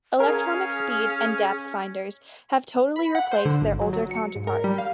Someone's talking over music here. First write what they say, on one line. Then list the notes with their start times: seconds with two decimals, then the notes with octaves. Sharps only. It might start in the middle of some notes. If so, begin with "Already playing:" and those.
Electronic speed and depth finders have totally replaced their older counterparts.
0.20 C#4 G#4 A#4 F5
2.96 B5
3.15 F#5
3.32 C5
3.45 D3
3.62 G#1
3.81 F#3
3.93 F#3
4.11 C#7
4.36 G#2
4.47 A#4
4.64 G3
4.78 F5